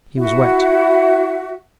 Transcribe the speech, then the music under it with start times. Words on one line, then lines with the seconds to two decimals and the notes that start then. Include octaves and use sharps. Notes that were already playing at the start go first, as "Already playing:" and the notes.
He was wet.
0.19 E4 F#4 E5